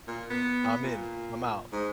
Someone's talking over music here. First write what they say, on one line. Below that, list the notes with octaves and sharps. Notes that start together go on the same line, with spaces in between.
"I'm in. I'm out."
A#2
B3
A#2
G#2